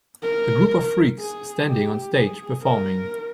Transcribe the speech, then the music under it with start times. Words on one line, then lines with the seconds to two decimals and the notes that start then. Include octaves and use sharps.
A group of freaks standing on stage performing.
0.22 A#4
1.19 G#4
1.67 G4
2.14 G#4
2.62 A#4